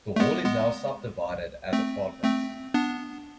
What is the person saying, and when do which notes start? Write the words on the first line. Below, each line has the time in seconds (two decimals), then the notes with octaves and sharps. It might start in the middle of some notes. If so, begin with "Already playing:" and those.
The hall is now subdivided as apartments.
0.16 A3
0.20 G#3 B3
0.45 G#3 B3
1.73 A3 C4
2.24 A3 C4
2.74 B3 D4